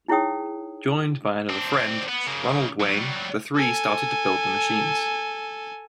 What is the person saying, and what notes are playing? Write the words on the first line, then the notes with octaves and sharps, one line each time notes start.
Joined by another friend, Ronald Wayne, the three started to build the machines.
D#4 E4 G#4 C#5 G5 D#6
C4 D4
B3
C#3 A#3
F#3 G3
A4 G#5